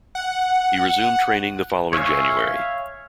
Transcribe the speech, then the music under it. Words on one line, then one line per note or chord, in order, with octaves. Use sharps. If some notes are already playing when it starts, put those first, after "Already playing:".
He resumed training the following January.
F#5
C#5 E5 F5 G#5